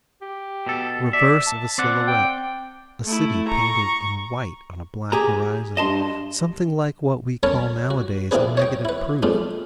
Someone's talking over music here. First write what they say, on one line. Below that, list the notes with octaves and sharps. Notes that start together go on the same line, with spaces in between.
The reverse of a silhouette--a city painted in white on a black horizon, something like what we call nowadays a negative proof.
G4
B2 A4
D5 E5
A5
C4 D5 F#5
G5
A3 E4
A#5 C#6
G4 G#4 A#5
G2 D#5 A5 C6
C#4 A#4 C#5 A5 B5
F#4
E3 A#3 C4 D4 G#4 B4
C#5 D#5 G5
E4 B4
F2 A#2 G#3 D4 D#4